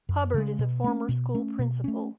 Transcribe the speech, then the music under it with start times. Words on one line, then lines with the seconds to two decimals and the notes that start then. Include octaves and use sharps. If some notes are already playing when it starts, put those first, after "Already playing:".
Hubbard is a former school principal.
0.09 F#2
0.34 C#3 G#3
0.59 B2
0.84 A3 C#4
1.09 B2
1.35 A3 C#4
1.59 B2
1.84 A3 C#4